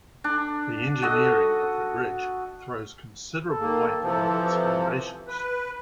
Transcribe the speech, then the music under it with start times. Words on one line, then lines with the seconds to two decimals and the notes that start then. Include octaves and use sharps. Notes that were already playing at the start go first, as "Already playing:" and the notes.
The engineering of the bridge throws considerable weight on its foundations.
0.24 D4
1.02 F#4 A4 D#5
3.48 A4
3.60 D#3 A#3
4.02 C3 E3 F3
5.28 B4